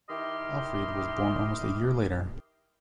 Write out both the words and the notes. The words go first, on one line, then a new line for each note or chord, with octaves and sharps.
Alfried was born almost a year later.
D#3 E4 G4 D#5 C6 F6